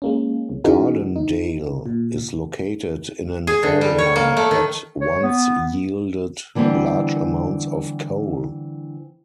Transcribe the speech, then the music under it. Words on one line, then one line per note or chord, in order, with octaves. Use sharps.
Gardendale is located in an area that once yielded large amounts of coal.
G#3 A#3 C#4
C#3 E3 D#4 F#4 G#4 A#4
D#4
A#2
G#4
D3
G3
C#5
A#3
A3
D#3
C#5
B3
D3 E3 G3 B3 C4